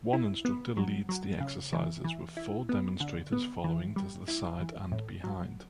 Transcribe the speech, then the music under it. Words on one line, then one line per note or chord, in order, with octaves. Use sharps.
One instructor leads the exercises, with four demonstrators following to the side and behind.
E4
B3
F#3
F#3
C#3
E3
E3
E4
B3
D3
B3
E3
G3
E4
E3
A2
F#3